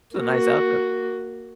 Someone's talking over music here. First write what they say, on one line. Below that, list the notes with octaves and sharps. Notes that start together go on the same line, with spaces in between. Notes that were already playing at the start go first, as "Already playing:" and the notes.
It's a nice outfit.
A#3 F#4